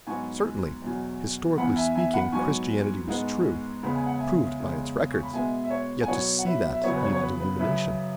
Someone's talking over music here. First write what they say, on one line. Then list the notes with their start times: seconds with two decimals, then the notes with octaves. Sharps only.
Certainly, historically speaking, Christianity was true--proved by its records--yet to see that needed illumination.
0.07 G#2 F#3 B3 G#5 C#6
0.82 E2 B2 F#3
1.58 E2 E3 B3 F#5 B5
1.76 E5 G#5
1.95 E5 G#5
2.14 F#5 B5
2.32 G#2 F#3 B3 G#5 C#6
3.07 G#2 G#3 B3
3.83 E2 C#3 G#3 B3 B5
3.95 G#5
4.06 F#5
4.18 E5 G#5
4.58 E2 C#3 G#3
5.12 C#6
5.23 B5
5.33 B2 G#3 B3 E5 G#5
5.64 E5
5.70 C#5
6.01 G#5
6.08 B2 F#3 B3 C#5 F#5
6.39 F#5
6.45 B4 E5
6.72 E5
6.83 E2 C#3 F#3 B3 C#5
6.96 B4
7.02 C#5
7.13 C#5
7.22 B4
7.40 B4
7.59 F#2 C#3 F#3 B4 E5